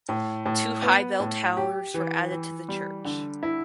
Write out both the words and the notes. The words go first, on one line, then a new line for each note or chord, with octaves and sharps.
Two high bell towers were added to the church.
A2
A2
B3
A2
G4
E3
E3
G3
D3
E4